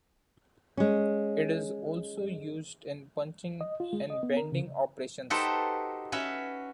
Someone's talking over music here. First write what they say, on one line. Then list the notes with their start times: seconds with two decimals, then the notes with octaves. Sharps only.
It is also used in punching and bending operations.
0.77 G#3 C#4
3.61 D#5
3.80 F4
3.93 G#3
4.10 D#5
4.23 B3
4.37 A#4
4.52 C#3
5.30 D#4 F#4 G4 A4 B4 C5
6.12 C#4 F#4 B4 E5